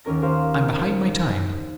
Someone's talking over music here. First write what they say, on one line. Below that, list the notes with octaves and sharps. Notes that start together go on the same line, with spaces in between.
"I am behind my time."
D#2 F#3 C#4 A#4 A#6
G4 A#4 C5 C#5 F5